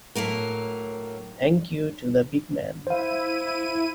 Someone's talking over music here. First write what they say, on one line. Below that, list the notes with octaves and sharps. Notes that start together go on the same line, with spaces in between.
Thank you to the big man.
A2 F#3 A#3 A#4
E4 C5 F5 D#7